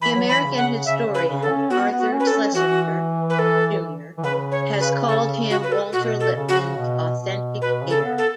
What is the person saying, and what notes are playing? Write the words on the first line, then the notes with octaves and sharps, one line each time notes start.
The American historian Arthur Schlesinger, Junior has called him Walter Lippmann's authentic heir.
E3 B5
F#3
E3 B5
C#3
F#5
C#3 E5
C#3
B4
C#3
A4
C#4
B3 F#4
B3
F#4
C#4
B4
A4
C#4
E3 F#4
B4
A4
E3
C#3 B4
C#5
B4
A4
F#4
B4
A4
B2 F#4
A4
C#3
F#4
B2
B2
B2 B4
C#3
A4
B3
A4